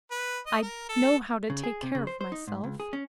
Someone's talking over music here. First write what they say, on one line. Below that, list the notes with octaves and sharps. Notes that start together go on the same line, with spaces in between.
I know how to take care of myself.
B4
D#5
A#4
A4
C#3
G#4
C3
C#3
C5
C5
D#4
G#2
C#2
G#4
C#4